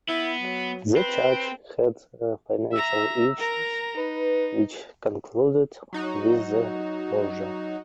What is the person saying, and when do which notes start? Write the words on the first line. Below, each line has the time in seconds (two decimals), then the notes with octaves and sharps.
The church had financial issues which concluded with the closure.
0.09 B3 E4
0.39 F#3
0.96 C4 B4
2.72 E5 A#5 E6
3.38 A#4 A#5
3.97 D#4 B4
5.93 F#3 D#4 F#4